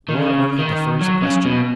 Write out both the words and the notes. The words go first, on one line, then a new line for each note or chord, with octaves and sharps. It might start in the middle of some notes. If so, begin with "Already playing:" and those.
War only defers a question.
D#3
C#3
D#3
F#3
C#3
B2